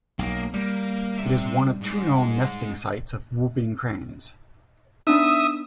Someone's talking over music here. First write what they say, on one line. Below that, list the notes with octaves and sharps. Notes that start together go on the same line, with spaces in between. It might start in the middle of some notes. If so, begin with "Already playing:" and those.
It is one of two known nesting sites of whooping cranes.
B1 A#3
G3 A#3
C4 E5
G#2
B3 D4 D#4 E5 D#6